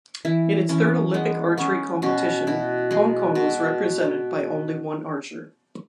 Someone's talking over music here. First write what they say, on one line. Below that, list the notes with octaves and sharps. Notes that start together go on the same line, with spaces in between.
In its third Olympic archery competition, Hong Kong was represented by only one archer.
E3 E4
E3 C#4
G#3 B3
B3 C#4
B2 C#4
B2 E4
G#3 G#4
B2